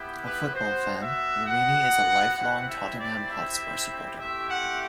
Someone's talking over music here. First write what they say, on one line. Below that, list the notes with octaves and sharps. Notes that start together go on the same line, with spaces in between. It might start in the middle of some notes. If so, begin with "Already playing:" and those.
A football fan, Ramini is a lifelong Tottenham Hotspur supporter.
Already playing: B3 E4 G4
B4
B3 F#4 C5
E5
F#5
C4 E4 G4 F#5
E5
D5
E5
A3 C4 E4 G4 E5
F#5